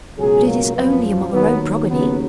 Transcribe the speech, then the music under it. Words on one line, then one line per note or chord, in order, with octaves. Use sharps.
'But it is only among our own progeny.'
C#2 B2 F#3 G#4
A#3
F#2 F3 B3
D#2 D#3 F#3 B3
D#2 C#3 F#3 B3